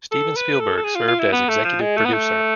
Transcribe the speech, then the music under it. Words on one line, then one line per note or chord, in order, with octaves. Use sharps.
Steven Spielberg served as executive producer.
A4
B4
A4
A4
G#4
F4
F4
E4
B3
A3
F3
G#3
A3
B3
A3